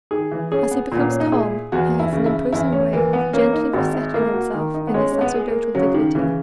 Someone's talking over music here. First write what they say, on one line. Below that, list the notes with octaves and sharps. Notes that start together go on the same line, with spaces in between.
As he becomes calm he has an imposing way of gently resettling himself in his sacerdotal dignity.
D#3 G#4
E3
C#4 G#4
B3
A#2
B3
C#4
D#4
E4 G#4
E2 F#4
E4
C#3
E4
E2 E4
C#4
E3 A#3
B3
A#3 C#4
D#4
G#1 F#4
E4
A#3 E4
F#4
D#3
D#4
B3
G#3 C#4
C#4
B3
G#4
A#3
C#3 F#3
D#3
C#3 E3